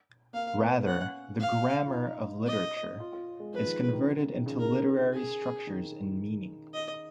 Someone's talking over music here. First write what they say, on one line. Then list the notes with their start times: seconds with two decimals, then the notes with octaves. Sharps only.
Rather, the "'grammar' of literature" is converted into literary structures and meaning.
0.33 A#3 F5
0.60 B3
0.86 C#4 F#5
1.40 F5
1.86 F4
1.93 D#4
2.46 D#5
3.00 F4
3.13 F4
3.40 G#3
3.54 F3 B4
3.67 D#3
3.80 C#3
3.93 D#3
4.07 D#3
4.20 C#3
4.33 D#3
4.46 C#3
4.53 D#3
4.60 C#3 A#4
5.13 G#4
5.67 D#3
6.74 D#5